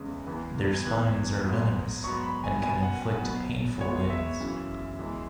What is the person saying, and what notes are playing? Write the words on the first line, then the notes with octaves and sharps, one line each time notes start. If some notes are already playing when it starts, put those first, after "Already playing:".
Their spines are venomous, and can inflict painful wounds.
Already playing: E2 C#3 G#3 B3
E2 E3 B3
G#6
E2 E3 B3 F#6
G#2 F#3 B3
G#2 F#3 B3 C#6
B5
G#5
B2 F#3 B3 G#5
F#5
F#5
B2 F#3 B3
B2 G#3 B3 C#5
E5
F#2 C#3 E3
E2 E3 G#3